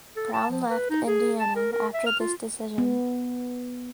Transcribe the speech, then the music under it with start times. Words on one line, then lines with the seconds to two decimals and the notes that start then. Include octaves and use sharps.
Brown left Indiana after this decision.
0.16 A4
0.33 A5
0.50 F3
0.70 B4
0.90 D#4
1.07 G#4
1.39 A5
1.56 A#4
1.72 A#4
1.94 E5
2.06 F6
2.20 F4
2.78 B3